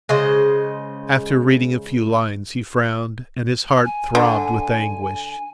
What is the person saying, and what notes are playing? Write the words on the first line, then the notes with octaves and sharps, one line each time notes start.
After reading a few lines he frowned and his heart throbbed with anguish.
C#3 G#3 C5 D#5
G#5
D3